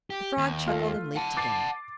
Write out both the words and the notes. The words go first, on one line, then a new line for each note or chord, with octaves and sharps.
The frog chuckled and leaped again.
G4
D#2
A3 F4
F#5 A5
D6 A6 C7